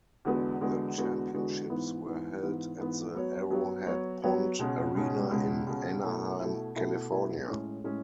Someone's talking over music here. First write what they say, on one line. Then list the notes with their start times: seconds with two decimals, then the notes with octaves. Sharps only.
The Championships were held at the Arrowhead Pond arena in Anaheim, California.
0.25 E2 D3 G#3 B3 F#4
0.61 E2 D3 G#3 B3 F#4
0.98 E2 D3 G#3 B3 F#4
1.34 E2 D3 G#3 B3 F#4
1.70 G#2 E3 B3
2.06 G#2 E3 B3
2.42 G#2 E3 B3
2.79 G#2 E3 B3
3.14 F#3 B3 F#4 C#5
3.50 F#3 B3 F#4 C#5
3.86 F#3 B3 F#4 C#5
4.22 F#3 B3 F#4 C#5
4.58 C#2 B2 G#3 C#4
4.95 C#2 B2 G#3 C#4
5.31 C#2 B2 G#3 C#4
5.67 C#2 B2 G#3 C#4
6.03 B2 A3 E4
6.39 B2 A3 E4
6.76 B2 A3 E4
7.12 B2 A3 E4
7.47 A2 G#3 C#4
7.84 A2 G#3 C#4